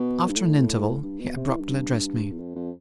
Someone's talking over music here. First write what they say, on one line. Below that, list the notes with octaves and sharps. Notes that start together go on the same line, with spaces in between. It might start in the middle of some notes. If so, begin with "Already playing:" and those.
After an interval, he abruptly addressed me.
Already playing: B2
G2
A2
G2
B2
C3
E3
G2
G2
E2
F2
F2